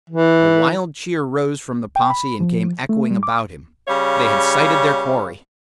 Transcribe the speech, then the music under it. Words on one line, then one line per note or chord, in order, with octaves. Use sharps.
A wild cheer rose from the posse and came echoing about him; they had sighted their quarry.
E3
G5
B5
F3
A3
G3
D6
C#3 G3 C#5 F5